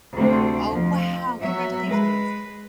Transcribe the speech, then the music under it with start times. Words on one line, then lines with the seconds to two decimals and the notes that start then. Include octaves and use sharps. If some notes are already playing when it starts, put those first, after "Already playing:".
Oh, wow! Congratulations.
0.14 D2 C3 C4
0.70 F2 F3
1.40 F#3 E5
1.87 G#3 B4